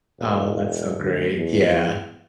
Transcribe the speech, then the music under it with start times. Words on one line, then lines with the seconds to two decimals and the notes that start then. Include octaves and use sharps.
Oh, that's so great. Yeah.
0.19 E1
0.98 D2
1.35 E2